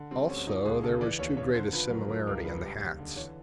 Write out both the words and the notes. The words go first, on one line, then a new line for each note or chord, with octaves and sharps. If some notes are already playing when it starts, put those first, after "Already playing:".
Also, there was too great a similarity in the hats.
Already playing: D3
G3 C4
D2 C#4
F3 D#4
C#2 G#4
C#3 A4
E3 D5
D#2 C#5
C#3 C#5
D3 C5
F3 B4
F#2 A#4
F3 A#4
C#2 A#4
C#3 B4
G3
D#2
D3
E3 C#5